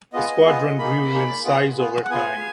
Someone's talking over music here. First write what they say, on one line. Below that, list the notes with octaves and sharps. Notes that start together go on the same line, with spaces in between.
The squadron grew in size over time.
B3 F4 G#4 D#5
B3 F4 G#4
A#3 D#4 G#4 B5
A#3 D#4 G#4
B3 F4 G#4
B3 F4 G#4
F#5
B3 F4 G#4 G#5